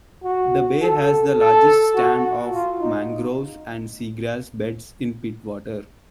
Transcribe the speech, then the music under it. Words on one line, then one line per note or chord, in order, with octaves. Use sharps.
The bay has the largest stand of mangroves and sea grass beds in Pittwater.
F#4
A4
A4
F#4
F#4
F4
D#4